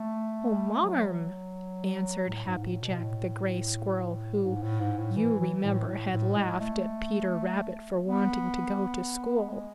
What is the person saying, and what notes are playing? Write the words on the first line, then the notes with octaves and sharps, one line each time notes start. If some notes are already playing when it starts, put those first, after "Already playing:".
"No, marm," answered Happy Jack the Gray Squirrel, who, you remember, had laughed at Peter Rabbit for wanting to go to school.
Already playing: A3
F#3
A2
G#2
A2
B2
A2
G#2
A2
G#2
A2
E3
E3
A2
A2
A2
G#3
A3
B3
G#3